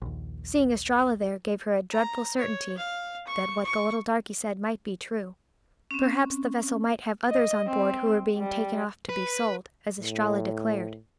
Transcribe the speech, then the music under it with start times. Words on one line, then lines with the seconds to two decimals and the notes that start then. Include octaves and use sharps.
Seeing Estralla there gave her a dreadful certainty that what the little darky said might be true. Perhaps the vessel might have others on board who were being taken off to be sold, as Estralla declared.
0.02 A#1 D#2
1.92 A#5
2.37 C#5
2.77 F5
3.27 C#6
3.63 C#6
5.91 C4 C#4
7.30 D#5
7.67 C4
8.37 G3
9.09 B4
10.00 A2